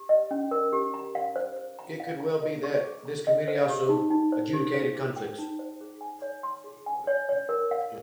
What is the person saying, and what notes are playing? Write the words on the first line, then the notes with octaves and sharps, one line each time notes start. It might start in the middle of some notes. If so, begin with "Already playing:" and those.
It could well be that this committee also adjudicated conflicts.
Already playing: G4
D#5
C#4
A#4
G4
A#5
F5
C5
C5
A#5
F5
A#5
D#5
C#6
G#4
A#5
D#5
C5
G4
D#4
D#4
C5
G4
C5
G#4
G5
D#4
C5
G#4
G#5
C#5
C6
G#4
G#5
C#5
C#5
A#4
F5